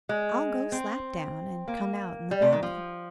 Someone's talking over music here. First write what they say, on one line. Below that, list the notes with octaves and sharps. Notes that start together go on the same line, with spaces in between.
I'll go slap down, and come out in the valley.
G#3
C4
A#3
G3
C3
D#3
F3